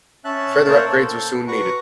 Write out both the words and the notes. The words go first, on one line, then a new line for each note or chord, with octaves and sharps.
Further upgrades were soon needed.
C#4 E5 A5 F#6
A#3 A#4 C5 C#5 F#5 A5
A4
F#4 B4 F#5 A#5 C#6